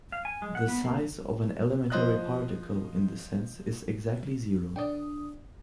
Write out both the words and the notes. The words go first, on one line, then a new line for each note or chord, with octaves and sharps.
The "size" of an elementary particle, in this sense, is exactly zero.
F5
G#5
G#3
F#5
B3
A#3
F3 C5 D#5 F#6
D3 D4 D5 G5 D#6